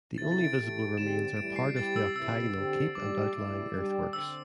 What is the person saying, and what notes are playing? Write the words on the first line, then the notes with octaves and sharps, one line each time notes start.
The only visible remains are part of the octagonal keep and outlying earthworks.
C3 A3 E4 A6
A6
D7
E3 A3 E4 G4
D3 C4 G4 E7
A2 E3 G3 D7
C7
G3 C4 E4 G4 A6
E6
C3 E3 A3 E4 G4 E6
D3 C4 G4
G3 D4 G4 D6
A2 E3 G3 E4
G3 D4 G4
D3 C4 E6